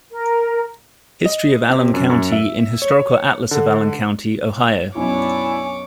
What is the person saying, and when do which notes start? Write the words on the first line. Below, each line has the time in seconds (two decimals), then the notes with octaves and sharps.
"History of Allen County in Historical Atlas of Allen County, Ohio".
0.12 A#4
1.26 D#5
1.70 C3
1.94 F#2
2.10 F#2
2.32 E5
2.82 C#5
3.51 D3
4.96 B1 F#2 B2 D4 E4 C#5 G#5 D6